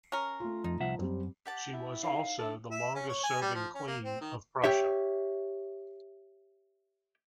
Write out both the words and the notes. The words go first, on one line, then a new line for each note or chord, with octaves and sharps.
She was also the longest-serving queen of Prussia.
C#4 A#4
A3 F4
F2 D#4
C2 F3 E5 F#5
F#2 G3 C4
G4 F#5 A5
E4
D#4 A#4 C#5 F5
D4 A4 E5 A5
E5
C#4
C#5
G#5
G3
F3
C#4
A#3
C4
D#3
G4 C#5 E5